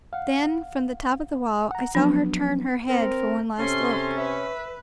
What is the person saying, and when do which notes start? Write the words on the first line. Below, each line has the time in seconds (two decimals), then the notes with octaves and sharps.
Then from the top of the wall, I saw her turn her head for one last look.
0.13 F5 F#5
1.71 F#5 A#5
1.95 F3 F#3 B3 D4
2.89 C4 A#4
3.59 C3 C#4 A4 C6
4.18 B4 E5